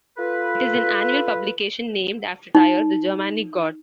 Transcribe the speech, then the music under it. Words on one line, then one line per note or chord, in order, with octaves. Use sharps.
It is an annual publication named after Tyr, the Germanic god.
F4 A4 B4
D#4